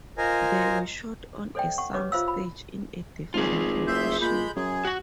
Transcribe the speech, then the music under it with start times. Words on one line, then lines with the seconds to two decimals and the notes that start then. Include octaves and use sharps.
They were shot on a sound stage in a different location.
0.18 F4 A#4 C5 D#5 G#5
1.55 A4 C5 D5 E5 G5
1.78 F#5 C#6
1.93 G4 B4 C#5 D#5 D6
2.12 F4 C5 E5 F5 E6
2.28 B5
3.34 G#1 F4 G#4
3.87 F#1 E5 C6 G6
4.22 A#2 G#3 B5 G6
4.56 F#2 G#4
4.85 F#4 F#5